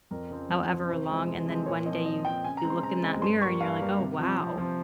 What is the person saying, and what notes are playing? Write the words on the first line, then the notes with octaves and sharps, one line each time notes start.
however long, and then one day you you look in that mirror and you're like, "Oh, wow,"
F2 A#4
C#3 F3 C4
F2 C5
C#3 F3 C4
C3 C5
F3 G#3 C4
C3
F3 G#3 C4
A#2 C#5
F3 C4 D#5
A#2 D#5
F3 C4 G5
C#3 G#5
A#5
G#3 C4
C6
C#3 A#5
G#3 C4
G2 C6
G3 A#3 C#6
G2 F5
G3 A#3
C3
F3 C4
C3
F3 C4